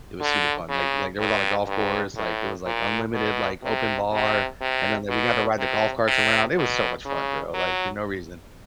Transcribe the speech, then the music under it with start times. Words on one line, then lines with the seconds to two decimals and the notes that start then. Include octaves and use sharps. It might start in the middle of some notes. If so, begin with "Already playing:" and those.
It was super fun, like like, there was on a golf course, like, it was, like, unlimited, like, open bar, and then we got to ride the golf carts around, it was so much fun, bro, like, for no reason.
0.21 D3
0.69 C#3
1.19 G2
1.67 G2
2.16 A2
2.65 A#2
3.14 B2
3.63 C3
4.13 C3
4.61 C3
5.10 B2
5.58 C3
6.08 C3
6.57 B2
7.05 C#3
7.54 F#3